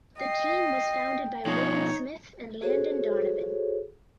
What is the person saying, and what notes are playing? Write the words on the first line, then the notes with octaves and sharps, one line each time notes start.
The team was founded by Warren Smith and Landon Donovan.
D#5 G5 C7
B2 F3 D#4 C#5
F#4 G#4 A4 C5 C#5